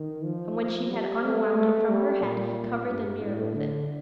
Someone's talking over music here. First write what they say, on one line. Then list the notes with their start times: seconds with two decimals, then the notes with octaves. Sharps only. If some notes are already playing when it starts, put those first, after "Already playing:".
And when she had unwound it from her head he covered the mirror with it.
Already playing: D#3
0.25 F3
0.90 G3
1.25 A3
1.57 A3
1.90 G3
2.23 A#2
2.89 G2
3.22 A2
3.55 D3